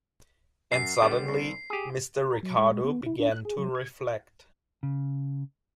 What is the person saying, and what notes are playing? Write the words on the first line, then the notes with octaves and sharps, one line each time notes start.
And suddenly, Mr. Ricardo began to reflect.
F#2 C7
D3 G3 B3
C2
G4 G#4
A#5
F#3
G#3
G#3
B3
E4
D4
F#6
G#4
F#3
G#6
C#3